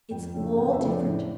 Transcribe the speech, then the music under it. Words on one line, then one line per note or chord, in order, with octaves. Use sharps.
It's all different.
F2 G5
C#3 F3 A3 D4
F2 G5
E5
C#3 F3 A3 D4
D5
A2